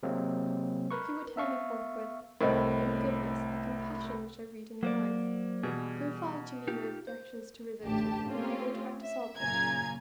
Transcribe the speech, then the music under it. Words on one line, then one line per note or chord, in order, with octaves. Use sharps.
You would tell me forthwith, in the goodness, the compassion, which I read in your eyes; Confide to me your objections to religion, and I will try to solve them.
C3 F#3 G#3 A#3 C4
A#4 B4 C#6
B3 E5 F5 C#6
C2 A2 A#4 C5 D#5
F#3 A#3 C5 D5
B2 E3 G3 G#4
D#4 F4 G4
C5
A1 D2 G4 A5
A3 C4 C#4 F4 G4
E5
F#2 A#2 C#3 G#5 A#5 G#6